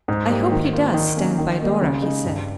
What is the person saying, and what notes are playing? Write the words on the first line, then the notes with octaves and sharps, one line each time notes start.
"I hope he does stand by Dora," he said.
G#2
G3 A#3
D#3
A#3 F4
D#3
A#3 C#4
D#3
G3 A#3 D#4
C#3
G#3 D#4
G2